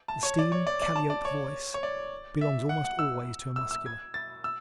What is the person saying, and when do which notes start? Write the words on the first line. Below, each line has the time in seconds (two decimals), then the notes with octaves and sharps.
The "steam-calliope voice" belongs almost always to a Muscular.
0.08 A5
0.23 C#5
0.39 D5
0.52 C#5
0.67 D5
0.82 D5
0.96 A5
1.10 D5
1.25 C#5
1.74 C#5
1.83 D5
2.41 E5
2.69 F#5
2.84 F#5
2.99 E6
3.56 E6
3.71 E6
3.86 G#6
4.14 A6
4.44 E6